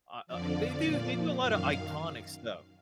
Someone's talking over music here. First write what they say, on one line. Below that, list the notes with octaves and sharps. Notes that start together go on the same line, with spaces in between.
ah i they do they do a lot of iconic stuff.
F2 D3 F3 D5
A#2 F3
F#2 D#3 F5